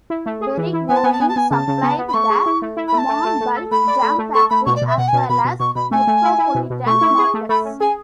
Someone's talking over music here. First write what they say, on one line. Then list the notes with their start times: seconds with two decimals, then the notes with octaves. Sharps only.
Berry growing supplied the Monbulk jam factory as well as metropolitan markets.
0.10 E4
0.26 A3
0.41 G#4
0.58 E3
0.73 E4
0.88 B3 G#5
0.96 A5
1.04 B3 G#5
1.12 A5
1.20 B3 G#5
1.28 A5
1.36 B3 G#5
1.51 C#3 A5
1.68 C#3
1.83 B3
1.99 B3
2.08 B5
2.14 A3 C#6
2.30 G#4
2.46 E4
2.62 A3
2.77 E4
2.88 B5
2.93 A3
2.98 A5
3.09 A3
3.25 A3
3.41 A3
3.56 A4
3.71 A3 B5
3.88 D5
4.02 A3
4.19 A3
4.34 A4 C#6
4.50 A3 B5
4.66 B2 C#6
4.76 D5
4.82 B2
4.87 E5
4.97 B2 F#5
5.08 G#5
5.13 B2 A5
5.29 B2 B5
5.45 B2
5.60 B2 C#6
5.75 B2 B5
5.91 A3 G#5
6.07 A3
6.24 E4
6.39 E4
6.55 B2
6.70 B2
6.86 A3 C#6
7.01 E4
7.18 G#4
7.34 A3
7.49 A3 B5
7.65 C#4
7.80 G#4 G#5